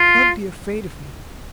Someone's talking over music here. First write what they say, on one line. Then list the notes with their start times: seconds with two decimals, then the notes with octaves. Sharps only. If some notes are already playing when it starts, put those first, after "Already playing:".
Don't be afraid of me.
Already playing: F4